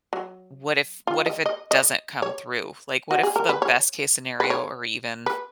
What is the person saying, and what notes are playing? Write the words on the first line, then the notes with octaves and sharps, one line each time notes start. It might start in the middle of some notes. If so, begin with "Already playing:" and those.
what if what if it doesn't come through? Like, what if the best case scenario, or even
F#3
F4
D#5
D#5
D#5
C#5
F#4
G#4
A#4
B4
C#5
B4
C#5
B4